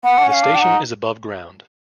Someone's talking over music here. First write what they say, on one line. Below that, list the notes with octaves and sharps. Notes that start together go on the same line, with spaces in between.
The station is above ground.
B3 F#5
D4
C#4
F#5
F5
D4
G5
D#4 F#5